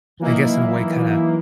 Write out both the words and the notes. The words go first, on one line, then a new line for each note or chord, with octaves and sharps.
I guess, in a way, kinda
E3 F#3 A#3 D#4 E4